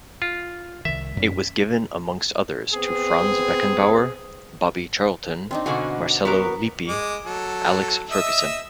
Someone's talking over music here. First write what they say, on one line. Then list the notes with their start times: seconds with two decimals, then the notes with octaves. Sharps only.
It was given amongst others to Franz Beckenbauer, Bobby Charlton, Marcello Lippi, Alex Ferguson.
0.22 F4
0.85 C2 D#3 E5
1.17 F#2 C#4
2.74 B3 C4 G#4
5.51 C4 D4 D#4
5.66 B2 D3 F#4 F5 F#5 G#5
6.25 F#3 B3 A#4 D6
6.88 G#3 D6
7.25 F#3 A4
8.11 D#5 E5 E6